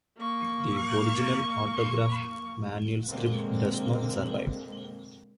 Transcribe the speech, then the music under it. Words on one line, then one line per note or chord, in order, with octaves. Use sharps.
The original autograph manuscript does not survive.
A#3 C#6
B2 D3 G#3 A#3 C4